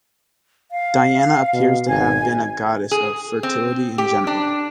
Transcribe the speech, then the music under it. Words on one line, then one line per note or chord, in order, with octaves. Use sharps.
Diana appears to have been a goddess of fertility in general.
F5
B2
G#1 G#5
G#4
C4
G4
D4